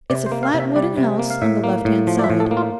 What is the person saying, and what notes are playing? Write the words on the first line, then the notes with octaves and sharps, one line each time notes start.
'It's a flat wooden house, on the left-hand side.
C3 D5
C5
A#3
F5
C3
E5
G3 D5
C3
A#3
F5
A2 E5
A#3
A2
F3
D5
E5
A2
A4
A#3
F4